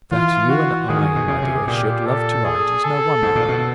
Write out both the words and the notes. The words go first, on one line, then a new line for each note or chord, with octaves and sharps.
That you and I, my dear, should love to write, is no wonder.
E3 F4
F#4
D#3 G#4
B2
C#3
C3
A#2 G4
A4
G#4
A4
G#2
A#2
B2